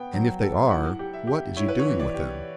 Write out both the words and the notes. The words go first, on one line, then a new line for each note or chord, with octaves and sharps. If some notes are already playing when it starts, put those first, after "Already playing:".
"And if they are, what is he doing with them?"
Already playing: B3 G5
F#3
A4
E4 F#5
G4
E5
G4
E4 C#5
B4
C#5
E3
D5
G4